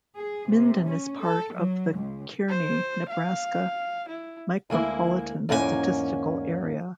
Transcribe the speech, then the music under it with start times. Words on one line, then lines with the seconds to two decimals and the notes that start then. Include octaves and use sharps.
Minden is part of the Kearney, Nebraska Micropolitan Statistical Area.
0.16 G#4
0.51 C3
0.87 C#4
1.21 A4
1.54 F#3
1.96 C#2
2.49 C5
3.09 F5
4.09 E4
4.70 D2 G#3 A#3 E4
5.49 E2 G#2 A#3 C#4 A4 G#5